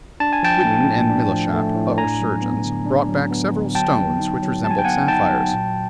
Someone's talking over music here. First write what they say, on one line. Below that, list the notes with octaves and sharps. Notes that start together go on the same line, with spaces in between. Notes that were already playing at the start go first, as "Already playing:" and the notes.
Whiddon and Milechappe, our surgeon, brought back several stones which resembled sapphires.
D4 A5
G#5
F3 G5 A5
A3
A2
D4
F3
A3
A2
D4 G#5 A#5
F#3
B3
D3
D4
F#3
B3
D3
F#3 G5 A5
B3
D#4
F#3
F#3 A5
G#5
G5
B3 F#5 G#5
D#4 G5 A5
F#3
A#2